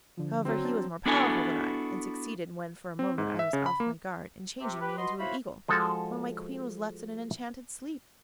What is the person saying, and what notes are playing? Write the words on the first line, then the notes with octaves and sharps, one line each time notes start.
However, he was more powerful than I, and succeeded, when for a moment I was off my guard, in changing me into an Eagle, while my Queen was left in an enchanted sleep.
D3 F3
D3 F#3 C4
D4 A5
B3 D4 E4 F#4 A4 G#5
C4
G#2
E5
C#3
B5
A#3
C3
G4 B4
F#4 B4 D#5 C6
E4 F#4 C5 C#5 F5 B5
F3 G#3 F#4 A4